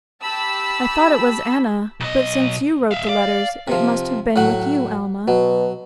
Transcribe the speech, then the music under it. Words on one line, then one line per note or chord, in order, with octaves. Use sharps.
I thought it was Anna, but since you wrote the letters, it must have been with you, Alma.
G4 A5 B5 E6
B1 D#5
E5 F5
D5 F5
C3 F3
A2 F#3 F#5
B2 F#3